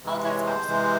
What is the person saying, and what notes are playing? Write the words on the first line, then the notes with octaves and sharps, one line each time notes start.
Oh, that's awesome.
C3 E3 G#3
C#5
C5
C3 E3 G#3